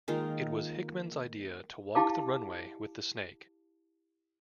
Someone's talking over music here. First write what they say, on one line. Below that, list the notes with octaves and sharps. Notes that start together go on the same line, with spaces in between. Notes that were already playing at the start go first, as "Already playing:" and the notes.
It was Hickmann's idea to walk the runway with the snake.
D#3 G#3 A#3 F4
E4 G4 F5 A5 D6